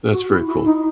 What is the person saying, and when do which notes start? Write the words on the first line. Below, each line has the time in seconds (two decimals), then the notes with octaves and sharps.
that's very cool.
0.12 F#4
0.30 E4
0.47 E4
0.64 D#4